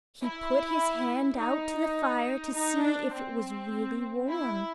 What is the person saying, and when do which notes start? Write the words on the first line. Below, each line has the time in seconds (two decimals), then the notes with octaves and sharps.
He put his hand out to the fire to see if it was really warm.
0.23 E4
1.39 D#4
2.55 D#4
2.83 D4
3.12 C4
4.28 E4